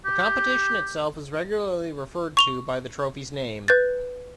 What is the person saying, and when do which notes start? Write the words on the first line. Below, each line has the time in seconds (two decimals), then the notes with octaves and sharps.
The competition itself is regularly referred to by the trophy's name.
0.05 G4
2.37 C#6 F7 G7
3.68 B4 G6 A6